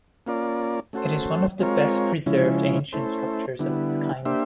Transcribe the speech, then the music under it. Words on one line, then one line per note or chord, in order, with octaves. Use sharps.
It is one of the best preserved ancient structures of its kind.
A#3 C#4 F4 A#4 D5
A3 C#4 F#4 A4 C5
G#3 C4 F4 A#4 C#5
C#3 F3 G#3 C#4 E4
A3 C#4 E4 A4 C5
D3 G3 B3 E4
A#3 D4 G4 C5 E5